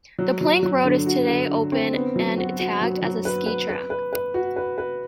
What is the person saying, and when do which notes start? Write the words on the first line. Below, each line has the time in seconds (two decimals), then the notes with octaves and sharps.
The Plank Road is today open and tagged as a ski track.
0.19 F#3
0.41 F#3
0.63 F#3
0.85 D3
1.06 F#4
1.28 D3
1.50 D3
1.72 C4
1.94 B3
2.16 F#3
2.38 F#4
2.59 F#4
2.81 F#3
3.03 F#3
3.25 B4
3.46 B4
3.68 B4
3.90 B4
4.13 B4
4.34 F#4
4.56 B4
4.78 B4